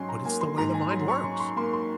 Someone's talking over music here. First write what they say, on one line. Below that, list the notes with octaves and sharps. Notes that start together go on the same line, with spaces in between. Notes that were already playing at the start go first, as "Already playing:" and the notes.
But it's the way the mind works.
Already playing: G#2 F#3 C#4 C6
A#5
A#3 G#5
C6
G#2 A#5
G#5
F#3 C6
C#6
C#4 C6
C6
A#3 C6
C6